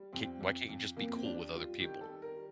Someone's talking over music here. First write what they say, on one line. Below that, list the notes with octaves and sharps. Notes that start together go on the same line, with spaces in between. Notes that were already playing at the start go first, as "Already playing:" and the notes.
Ca why can't you just be cool with other people?
Already playing: G3
F2 C4
F2
F2
F2 A#3
C4
G3 D4
G3 F4
D#3 G4
A4
G3
A#4
G3